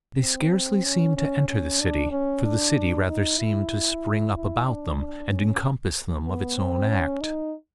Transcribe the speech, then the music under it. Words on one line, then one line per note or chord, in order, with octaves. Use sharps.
They scarcely seemed to enter the city; for the city rather seemed to spring up about them, and encompass them of its own act.
C4
C#4
C#4
C#4
D4
C#4
D4
D#4
E4
E4
D4
D4
C#4
B3
C4
C#4
D#4